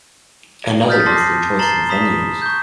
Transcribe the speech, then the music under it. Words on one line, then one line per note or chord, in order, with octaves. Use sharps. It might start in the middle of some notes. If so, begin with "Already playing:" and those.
Another is their choice of venues.
D#6 F6 G6 A6 B6
A5 C6 D6 D#6 A#6 C7
A#5 A6 C7 E7 F#7 G7
B5 D#6 B6 E7
C#6 G6